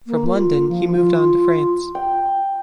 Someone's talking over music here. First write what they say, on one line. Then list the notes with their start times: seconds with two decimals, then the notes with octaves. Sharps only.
From London he moved on to France.
0.07 A#3
0.33 F4
0.69 F3
0.96 F4
1.95 G5